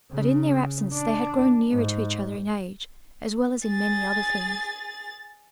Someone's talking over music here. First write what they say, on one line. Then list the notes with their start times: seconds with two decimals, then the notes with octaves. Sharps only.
But in their absence they had grown nearer to each other in age, as well as in many other things.
0.12 C#3
0.94 D4
1.69 G#2
3.68 G#4 A6